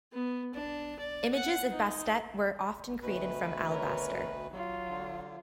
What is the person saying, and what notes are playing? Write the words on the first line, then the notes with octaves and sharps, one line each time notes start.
Images of Bastet were often created from alabaster.
B3
D4
D5
F#5
D#4
D2 B2 B4
A#4 C#5
F#3 F4
D3